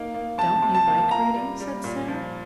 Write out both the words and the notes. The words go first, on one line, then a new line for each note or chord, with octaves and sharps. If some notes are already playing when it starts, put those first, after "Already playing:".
"Don't you like reading?" said Sara.
Already playing: A#3 D#4
A#3
C3 A5
C3
A5
A#3
F4 A#5
G3
G3
A#2
F3